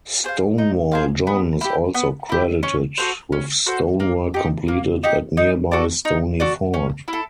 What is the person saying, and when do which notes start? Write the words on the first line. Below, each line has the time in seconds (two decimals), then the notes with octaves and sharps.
Stonewall John is also credited with stonework completed at nearby Stony Fort.
0.24 G#4 C5 F5
0.58 D#4
0.92 G#4 C5 F5
1.27 B3
1.61 E4 G4
1.94 B3
2.29 E4 G4
2.63 C#4
2.98 F#4 A4 C5
3.32 C#4
3.66 F#4 A4 C5
4.00 A#3
4.34 D#4 G4
4.68 A#3
5.03 D#4 G4
5.37 D#4
5.71 F#4 A4 D5
6.05 D#4
6.40 F#4 A4 D5
6.74 C#4
7.08 E4
7.13 A4